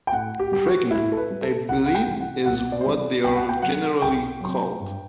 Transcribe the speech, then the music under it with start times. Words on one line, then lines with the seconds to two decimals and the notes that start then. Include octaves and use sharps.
Pregnant, I believe, is what they're generally called.
0.07 G5
0.12 A2 F#5
0.39 G4
0.52 G3 G4
0.65 F#4
0.91 A2 E4
1.12 A4
1.17 B4
1.30 G3
1.42 A4
1.69 C2 F#5
1.86 F#5
1.95 G5
2.08 C3 E3 G3
2.20 F#5
2.46 C2 F#5
2.72 D5
2.81 C5
2.86 C3 E3 G3 D5
2.98 D5
3.24 C2 G5
3.36 F#5
3.49 G5
3.62 C3 F#3 F#5
4.02 C2 G5
4.41 C3 F#3
4.80 G2